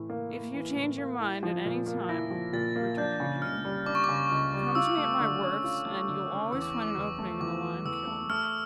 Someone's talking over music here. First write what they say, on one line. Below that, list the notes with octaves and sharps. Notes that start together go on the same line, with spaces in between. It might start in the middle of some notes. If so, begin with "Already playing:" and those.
'If you change your mind at any time,' returned Eugene, 'come to me at my works, and you'll always find an opening in the lime-kiln.'
Already playing: A2 E3
A#3
E4
E3
A2
A#3
E4
F3
A#2
A#3
E4 A#6
F3
A#2 A6
A#3
D4 G6
C#3
C#2 F6
G3
D4 D6
C#6
C#3 D6
C#2
G3
F4 E6
A3
D3
C#4
F4
A3
D3
C#4
E2 E6
D6
E3 C#6
D6
E2
A3
E2 D6
E3
E2 E6
A3
A3 F6